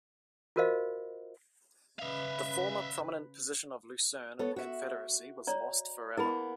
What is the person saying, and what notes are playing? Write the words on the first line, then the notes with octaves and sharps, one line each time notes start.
The former prominent position of Lucerne in the confederacy was lost forever.
F4 F#4 A#4 C5 D#5 F5
C#3 B4 E5 F5
B3 A4 C#5
F#4 E5
C#5 D5 A#5
A#3 B3 E4 G#4 B5